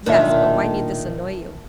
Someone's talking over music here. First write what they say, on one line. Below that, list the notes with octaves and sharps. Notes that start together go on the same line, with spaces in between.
"Yes; but why need this annoy you?"
B1 A#2 D#3 D4 E5